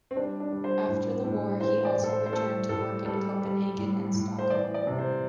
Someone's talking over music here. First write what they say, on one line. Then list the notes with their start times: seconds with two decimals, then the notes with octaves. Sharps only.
After the war, he also returned to work in Copenhagen and Stockholm.
0.11 C4
0.16 G3 D4
0.40 D4
0.52 G3
0.64 C5
0.88 A2
1.25 A2
1.60 E3 C5
1.85 D5
1.97 A2
2.04 A4
2.09 C5
2.26 C5
2.33 A3 A4
2.69 A2 A4
3.05 G3 A4
3.42 G3
3.78 A2
4.14 A2
4.38 C5
4.50 E3 D5
4.74 D5
4.87 C3
4.98 C5